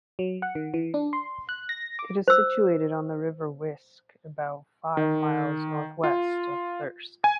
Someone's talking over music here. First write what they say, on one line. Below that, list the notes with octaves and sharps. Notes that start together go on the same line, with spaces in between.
It is situated on the River Wiske, about five miles north-west of Thirsk.
F#3
F#5
D#3
E3
D4
C6
F#6
A#6
D6
C5 E6
D#3
F4
G#5